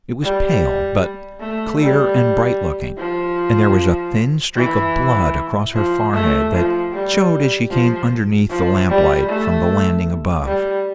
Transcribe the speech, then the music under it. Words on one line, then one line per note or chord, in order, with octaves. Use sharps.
It was pale, but clear and bright-looking, and there was a thin streak of blood across her forehead that showed as she came underneath the lamp-light from the landing above.
G3
A3
G3
F3
E3
F3
A3
F3
G3
F3
F3
G3
A3
G3